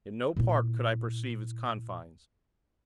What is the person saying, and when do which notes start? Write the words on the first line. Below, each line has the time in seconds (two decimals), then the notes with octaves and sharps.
In no part could I perceive its confines.
0.37 A#2 E4